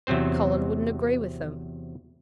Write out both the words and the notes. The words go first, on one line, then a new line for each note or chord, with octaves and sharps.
'Colin wouldn't agree with them.
E2 C3 F#3 C4 C5